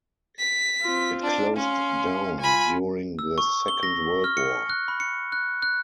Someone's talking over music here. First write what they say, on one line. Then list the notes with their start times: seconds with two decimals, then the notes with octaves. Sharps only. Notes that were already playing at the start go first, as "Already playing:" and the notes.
It closed down during the Second World War.
0.39 B6
0.82 C4 F4
1.23 D4
1.57 C#4 F5 C6
2.40 F4 G#5 B5
3.19 E6
3.38 C#6
3.68 G7
3.83 A#6
4.24 F6
4.37 C#7
4.70 F#6
4.88 B5
5.00 C#7
5.32 F#6
5.62 F#6